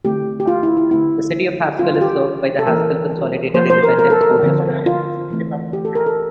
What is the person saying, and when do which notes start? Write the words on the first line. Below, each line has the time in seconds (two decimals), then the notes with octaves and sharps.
The City of Haskell is served by the Haskell Consolidated Independent School District.
0.05 D3 A3 C4 G4
0.40 G4
0.47 F4
0.63 E4
0.77 E4
0.91 D3 A3 C4 E4
1.79 E3 G3 C4 F4
1.94 F4
2.01 G4
2.59 A4
2.67 E3 A#3 A#4
3.54 F3 A#3 C5
3.70 C5
3.83 A#4
3.99 A#4
4.10 A4
4.21 A#4
4.43 D3 F3 C4
4.86 F4
5.30 E3 A3 C4
5.73 G4
5.85 A4
5.95 A#4
6.06 A4